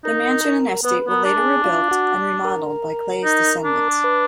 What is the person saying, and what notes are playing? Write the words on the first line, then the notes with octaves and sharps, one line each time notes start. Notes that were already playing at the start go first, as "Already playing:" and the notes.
The mansion and estate were later rebuilt and remodeled by Clay's descendants.
D#4 A#4
A#4
B3 B4
B3 A#4
D4
G#4
F4
F#4
A#4
D#4
D4
B4